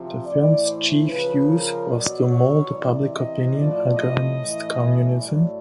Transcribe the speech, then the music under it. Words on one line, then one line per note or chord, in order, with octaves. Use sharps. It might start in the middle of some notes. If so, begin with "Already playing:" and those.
The film's chief use was to mold public opinion against communism.
Already playing: C3 F3
A2 E3 D5
C5
C#3 F3 B4
A#4
B2 F#3 D5
C#5
C3 E3 D5
D#5
A2 F3 D5
D#5
A2 E3
A2 F#3 D5